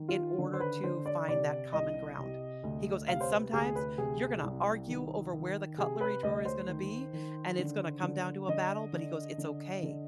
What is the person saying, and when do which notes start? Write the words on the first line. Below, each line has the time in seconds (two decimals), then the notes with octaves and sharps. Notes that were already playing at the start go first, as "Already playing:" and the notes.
in order to find that common ground." He goes, "And sometimes, you're gonna argue over where the cutlery drawer is gonna be, and it's gonna come down to a battle," but he goes, "It's okay,
Already playing: D#3
0.09 F4
0.38 D3
0.53 C5
0.60 B4
0.84 D3 C5
1.06 D5
1.28 C3 D5
1.73 C2 D#5
2.18 C3
2.63 D2
3.08 C3 F5
3.21 C5
3.31 B4
3.53 D2 G#4
3.76 B4
3.98 C3 G#4
4.43 C2
4.88 D#3
5.33 D#3
5.78 C3 G#4
6.01 B4
6.23 D2 D#5
6.45 C5
6.68 D#3
7.13 D#3
7.59 D3
8.03 D3
8.48 D3 D#5
8.93 D3
9.38 D3
9.83 D3